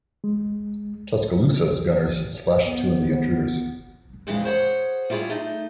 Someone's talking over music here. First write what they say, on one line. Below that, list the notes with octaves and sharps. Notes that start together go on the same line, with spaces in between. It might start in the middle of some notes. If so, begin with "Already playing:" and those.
"Tuscaloosa"s gunners splashed two of the intruders.
G#3
B3
F2 A#2 C#3 E3 G#3
G#4 C5 C#5 F#5
G3 E4 F4 G#4 C#5
A3 D#4